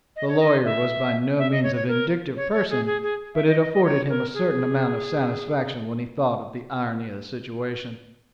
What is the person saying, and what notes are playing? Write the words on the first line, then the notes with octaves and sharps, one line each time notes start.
The lawyer was by no means a vindictive person, but it afforded him a certain amount of satisfaction when he thought of the irony of the situation.
D#5
C#5
D#5
E5
E5
D#5
C#5
C#5
A#4
C#5
C#5
G#4
G#4
G#4
E5
D#5
D#5
D#5
C#5
A#4
G#4